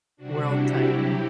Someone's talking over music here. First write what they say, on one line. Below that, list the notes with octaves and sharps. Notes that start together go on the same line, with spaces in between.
world title.
C3 G3 D4 F#4
E4 G4
C3 F#3